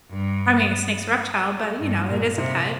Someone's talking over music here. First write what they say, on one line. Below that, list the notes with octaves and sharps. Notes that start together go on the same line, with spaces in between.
I mean, a snake's a reptile, but, you know, it is a pet,
G2
G2
A#2
C3